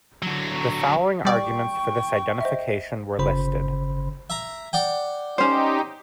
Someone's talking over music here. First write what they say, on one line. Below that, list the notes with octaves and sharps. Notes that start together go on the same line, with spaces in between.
The following arguments for this identification were listed.
D3 F#3
G3 D5 G5 C#6
C5 D#5 E5
G1 C#3 C5 B5
E5 A#5
D5 F#5 G5
C#4 D#4 G4 C5